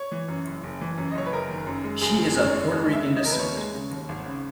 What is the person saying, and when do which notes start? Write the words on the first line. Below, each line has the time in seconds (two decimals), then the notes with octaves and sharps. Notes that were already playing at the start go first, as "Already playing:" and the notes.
She is of Puerto Rican descent.
Already playing: C#5
0.12 E3
0.28 F#2
0.47 F#1
0.64 F#1
0.81 E3
0.98 F#2
1.11 D#5
1.15 F#1 C#5
1.26 B4
1.32 F#1 A#4
1.49 D#3
1.67 F#2
1.84 G#3
2.01 F#1 G#4
2.19 D#3
2.24 G#4
2.37 F#2
2.48 C#5
2.54 G#3
2.71 D#2 D#5
2.88 G#3
2.93 E5
3.05 C#3
3.16 D#5
3.23 D#2 A#4
3.32 B4
3.39 D#2 C#5
3.57 G#3
3.74 C#3
3.91 D#2
4.09 G#1
4.25 C#3